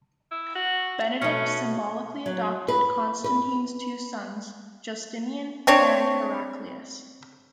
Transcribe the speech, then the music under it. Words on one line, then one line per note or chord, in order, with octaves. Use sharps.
Benedict symbolically adopted Constantine's two sons Justinian and Heraclius.
E4
F#4
B2 A3 C#4
F#3
B4
B4
C4 D4 C#5